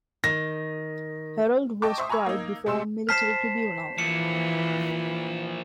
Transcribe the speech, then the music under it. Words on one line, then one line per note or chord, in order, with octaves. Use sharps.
Herold was tried before a military tribunal.
D#3 A#6
D#5 G5 A5 C#6 D6
C5 E5 C#6 D#6
G#5 A#5 B5 C#6 E6 G#6
A#3 D#4
C3 A3 C6 E6 E7
C5 A5 F6 B6 C7 E7
A#2 E3 F3 C#7